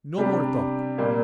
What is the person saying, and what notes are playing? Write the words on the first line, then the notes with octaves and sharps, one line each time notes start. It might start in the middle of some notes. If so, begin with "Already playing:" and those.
No more talk!
C3 G3 D4 G4
A#2 G3 A#3